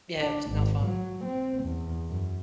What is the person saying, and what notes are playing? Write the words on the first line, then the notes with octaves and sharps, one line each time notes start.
Yeah, it was not fun.
D4
G#1
F#3
C4
E2
F#2